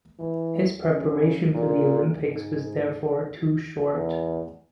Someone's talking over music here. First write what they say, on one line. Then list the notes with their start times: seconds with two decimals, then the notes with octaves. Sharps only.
His preparation for the Olympics was therefore too short.
0.19 E3
0.88 C#3
1.55 A#2
2.23 G#2
3.92 E2